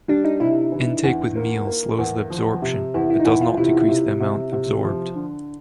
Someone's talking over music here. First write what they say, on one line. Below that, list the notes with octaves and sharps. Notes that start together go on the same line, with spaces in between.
Intake with meals slows the absorption, but does not decrease the amount absorbed.
G3 D4
D#4
C3 E4
E3
E2
A#3
A#3
E2
F3
C3
E2 E4
E4
D#4
E2 E4
F4
C3 E4
C3
C3
C3
F3
D3